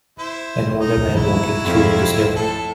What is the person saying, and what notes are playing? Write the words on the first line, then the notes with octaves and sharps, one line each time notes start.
An older man walking through the snow.
E4 C5
D#4
F#3 E4 B5
F2
A2 A4